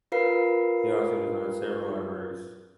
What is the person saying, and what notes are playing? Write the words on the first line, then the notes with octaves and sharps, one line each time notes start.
He also designed several libraries.
F4 A#4 B4 F5 C7